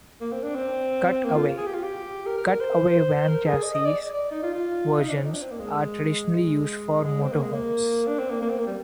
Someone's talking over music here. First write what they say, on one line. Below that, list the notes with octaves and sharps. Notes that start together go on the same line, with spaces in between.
Cut-Away: Cutaway van chassis versions are traditionally used for motor homes.
A#3
C4
D4
C4
A#3
F4
G#4
G4
F4
G4
A#4
A#4
A#4
C5
A#4
G#4
D#5
D#5
D5
D5
D#4
F4
F4
D#4
D4
C4
D#4
D4
C4
A#3
G#3
G#3
G#3
C4
A#3
G#3
A#3
D4
C4
A#3
A#3
C4
A#3
G3